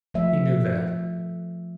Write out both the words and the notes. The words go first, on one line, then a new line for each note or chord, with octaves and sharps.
He knew that.
F3 A3 E5